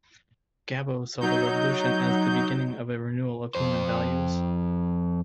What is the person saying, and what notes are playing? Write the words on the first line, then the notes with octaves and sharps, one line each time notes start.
Gabo saw the Revolution as the beginning of a renewal of human values.
F#3 D#4 G6
F2 C5